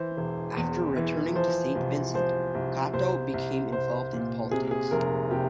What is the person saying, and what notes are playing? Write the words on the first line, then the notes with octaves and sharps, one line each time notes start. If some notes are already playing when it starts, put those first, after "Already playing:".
After returning to Saint Vincent, Cato became involved in politics.
Already playing: E3 C5
E1
E2
E3
F3 C5
C2
F3 C5
C2
C2 C5
C2
C2 C5
A#2
C3 G#4
G#4
F1 A#4
C3 G4